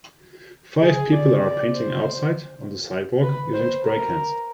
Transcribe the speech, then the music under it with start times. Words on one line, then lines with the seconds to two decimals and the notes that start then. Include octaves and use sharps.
Five people are painting outside on the sidewalk using spray cans.
0.82 G#4
1.12 D5
1.42 D5
1.72 C5
3.23 B4
3.53 C5
3.83 A#4